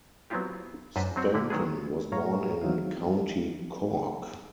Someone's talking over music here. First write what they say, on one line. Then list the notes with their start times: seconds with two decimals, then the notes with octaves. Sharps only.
Stanton was born in County Cork.
0.30 F#3 B3 C4 E4 F4 G4
0.96 F#2 D4 B4 C5 D#5 A5
1.16 F#3 C4 F#4
1.34 D3 A3 A#3 E4
1.50 D#3 F#3 B3 G#4
2.12 F#2 A2 C#5 F5 A#5 C#6
2.62 D#2 F#3 C4 D#4 E4 F5